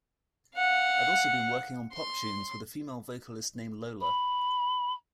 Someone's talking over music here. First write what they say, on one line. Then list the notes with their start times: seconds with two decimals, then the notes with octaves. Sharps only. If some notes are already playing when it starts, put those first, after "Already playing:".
I've also been working on pop tunes with a female vocalist named Lola.
0.54 F5 F#5
1.93 C6
4.01 B5